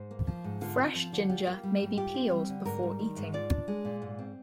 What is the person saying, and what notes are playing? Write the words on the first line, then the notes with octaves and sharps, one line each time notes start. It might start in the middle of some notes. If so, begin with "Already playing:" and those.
Fresh ginger may be peeled before eating.
Already playing: G#2 C5
A#3
F3
G#2
D3 F4
C4
F3
D3
F4 G4
A#3
G3
G#2
F4 G4
C4
G3
D3
G#2 A#4
G3
D#3
G#2
F4 D5
D4
G#3
A#2
G#2
C4